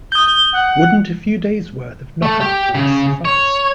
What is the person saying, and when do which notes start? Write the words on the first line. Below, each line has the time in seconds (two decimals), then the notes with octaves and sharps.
Wouldn't a few days' worth of knockout drugs suffice?
0.12 D#6 G6 G7
0.53 F#5
2.22 A3
2.41 G4
2.75 C#3
3.25 C#5